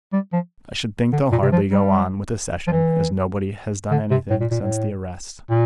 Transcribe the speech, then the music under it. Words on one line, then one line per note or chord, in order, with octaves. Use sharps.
I should think they'll hardly go on with the Session, as nobody has done anything since the arrest.
G3
F3
D3
A#2
C3
F3
G3
F3
E3
D3
C3
A2
A#2
A#2
A2
A#2